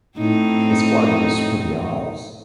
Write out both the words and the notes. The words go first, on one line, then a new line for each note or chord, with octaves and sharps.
It’s quite the spooky house.
A2 C4 D#4